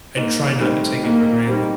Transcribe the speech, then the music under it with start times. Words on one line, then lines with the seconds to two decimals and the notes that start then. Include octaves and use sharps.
I try not to take it for granted.
0.17 G#2 A#3
0.60 D#3 G3 A3 C4
1.03 G#2 A#3
1.47 D#3 G3 C4